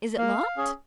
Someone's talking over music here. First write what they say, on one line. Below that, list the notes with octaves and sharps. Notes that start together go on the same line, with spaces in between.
"Is it locked?"
A#3 F5
C#4 G#4